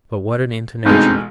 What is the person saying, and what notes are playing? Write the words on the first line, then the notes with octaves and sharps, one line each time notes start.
But what an intonation!
A1 B2 G#3 C4 D4 D#4